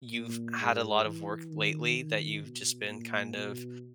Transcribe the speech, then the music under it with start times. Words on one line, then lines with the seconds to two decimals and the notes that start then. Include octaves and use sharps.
you've had a lot of work lately that you've just been, kind of
0.13 A#2
0.60 G#2
1.05 E3
1.50 D#3
1.97 D#3
2.43 B2
2.89 A#2
3.35 B2